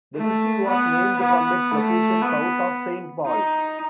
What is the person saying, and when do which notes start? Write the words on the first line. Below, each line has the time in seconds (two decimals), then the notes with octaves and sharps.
The city was named from its location south of Saint Paul.
0.15 A3
0.67 B3
1.19 B3
1.71 A3
2.22 B3
3.26 D#4